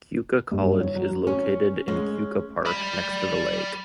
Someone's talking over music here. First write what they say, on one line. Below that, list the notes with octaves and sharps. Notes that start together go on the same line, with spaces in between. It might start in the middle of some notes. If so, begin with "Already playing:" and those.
Keuka College is located in Keuka Park next to the lake.
G2
C#5
F#3
C#4
G#3 C#4
D5 B5